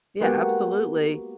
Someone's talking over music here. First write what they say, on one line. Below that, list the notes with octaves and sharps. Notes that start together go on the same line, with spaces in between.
Yeah, absolutely.
G#3 A#3 B3 F#4 G4